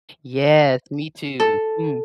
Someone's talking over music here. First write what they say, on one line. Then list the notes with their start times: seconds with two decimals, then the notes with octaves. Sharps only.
Yes, me too. Mm.
1.40 A4